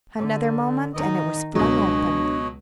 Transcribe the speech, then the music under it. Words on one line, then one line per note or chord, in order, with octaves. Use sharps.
Another moment, and it was flung open.
D3
D#3 D#4 D#5
C#2 B2 F#3 D4 C#5 D#5